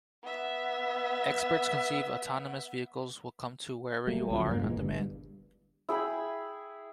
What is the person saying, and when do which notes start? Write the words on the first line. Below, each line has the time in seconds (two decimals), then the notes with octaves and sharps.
Experts conceive autonomous vehicles will come to wherever you are on demand.
0.23 B3 E5
4.07 G3 A3 A#3
4.30 C#2 F3 F#3
4.48 G2 A#3
4.62 E1 A#2 E3 G#3
4.77 G1 G2
5.89 E4 G#4 G5 B5